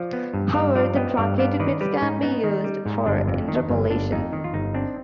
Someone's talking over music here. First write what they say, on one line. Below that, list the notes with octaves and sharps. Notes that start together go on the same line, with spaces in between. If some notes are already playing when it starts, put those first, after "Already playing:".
However, the truncated bits can be used for interpolation.
Already playing: F3 D5 F5
B3
G2
G2 D5 F5
F3 D5 F5
B3 D#5 G5
G2 D5 F5
B3 D5 F5
D#3 B4 D5
G3 G4 B4
G#2 D#4
B3 D#4
D#3
G3
G#2
G1 D4
F2
D#3
G1
G1 D4
F2 D#4
D#3
F4
G1 D#4
C4 D4